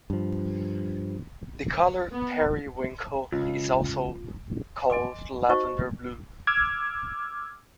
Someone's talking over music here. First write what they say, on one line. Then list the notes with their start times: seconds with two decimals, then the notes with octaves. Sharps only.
The color periwinkle is also called lavender blue.
0.10 G2 F3
2.13 B3
3.32 C#2 F4
4.90 D#5 G#5 C6 D6
5.49 D#4 F#4 C5 D#5 C#6
6.47 D6 E6 F6 G#6